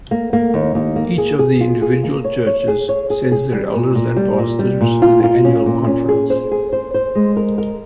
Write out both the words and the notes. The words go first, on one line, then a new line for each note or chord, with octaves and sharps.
Each of the individual churches sends their elders and pastors to the annual conference.
A#3
A#3
D#2
D#2
A#3
G#4
G#4
F4
G#4
A#3
C#5
C#5
G#4
C#5
G#4
G#4
G3
A#2
A#2
G3
A#2
G3
A#2
F4
F4
C#4
A#2
C#4
G#4
C5
G#4
C5
C5
G#3
A#4
A#4